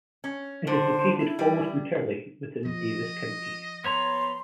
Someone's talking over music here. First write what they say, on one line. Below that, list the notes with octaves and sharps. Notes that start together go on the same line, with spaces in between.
It is located almost entirely within Davis County.
C#4
D3 C5
E4
G3
F3 D#5
B3 C#5 A#5 C6